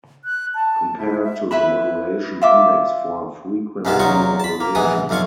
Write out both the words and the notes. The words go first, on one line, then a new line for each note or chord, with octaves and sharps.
Compare to the modulation index for frequency modulation.
F#6
A5
E4
E5
E4 B4 E5 B5
F4 E5 D6
C2 G#2 B3 F4 A5
E2 F#3 D#4 F4 C#6
A5 B5
A#3
A#1 E3 G#3 B3 D#6
B1 F2 A3 F4 C#6